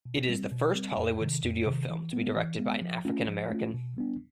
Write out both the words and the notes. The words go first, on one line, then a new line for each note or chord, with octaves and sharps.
It is the first Hollywood studio film to be directed by an African American.
B2
G3 C4
B2
G3 C4
F2
C3 D#3
F2
C3 D#3
E3
G#3 B3
E3
G#3 B3
F3
A3 C#4 F4
F3
A3 C#4 F4
B2
G3 B3 D4